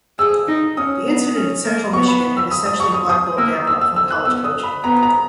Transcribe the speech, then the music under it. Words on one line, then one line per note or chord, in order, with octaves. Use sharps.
The incident at Central Michigan had essentially blackballed Dambrot from college coaching.
G#4 E6
D#4
C#4 D#6
B3
C#4
A#3
B3 C#6
B5
E6
D#6
D#6
C#6
D#6
D#6
A#3 E6
E6
E6
E6
F#6
B3 E6
D#6
B5
B3 A#5
A#5